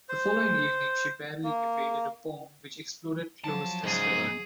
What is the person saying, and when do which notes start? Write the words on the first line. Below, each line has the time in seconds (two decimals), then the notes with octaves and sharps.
The following evening, she barely evaded a bomb which exploded close astern.
0.09 C5
1.44 A#3
3.44 F3 F#3 A5
3.84 G#2 C#3 G#4